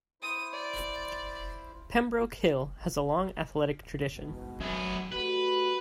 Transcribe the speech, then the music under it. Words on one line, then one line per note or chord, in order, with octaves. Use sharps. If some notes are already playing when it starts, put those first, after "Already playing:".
Pembroke Hill has a long athletic tradition.
E4 C5 D#6
D5
G#2 B2
F#2 B3
G3 A3 F#4 B4